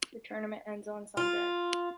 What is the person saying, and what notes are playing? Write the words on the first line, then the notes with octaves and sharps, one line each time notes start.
The tournament ends on Sunday.
F4